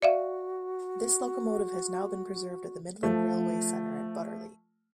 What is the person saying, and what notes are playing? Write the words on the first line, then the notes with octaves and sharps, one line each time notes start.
This locomotive has now been preserved at the Midland Railway Centre at Butterley.
F#4 D5 E5 F5
F3 A3